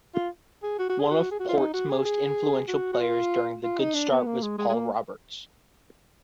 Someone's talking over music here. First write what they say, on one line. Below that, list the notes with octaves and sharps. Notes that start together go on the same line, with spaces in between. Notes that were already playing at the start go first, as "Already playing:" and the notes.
One of Port's most influential players during the good start was Paul Roberts.
F4
G#4
F#4
F#4
G#4
F#4
G#4
F#4
F4
D#4
F#4
G#4
G#4
F#4
F#4
F4
F4
D#4
D4
B3
A#3
G#3
G#3
G#3
A#3